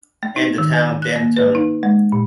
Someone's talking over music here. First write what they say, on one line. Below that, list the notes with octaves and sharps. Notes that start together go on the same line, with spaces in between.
And the town, Denton.
A3
D#4
D#3
G#5
F#6
A#3
B4
D#4
G#3
A#2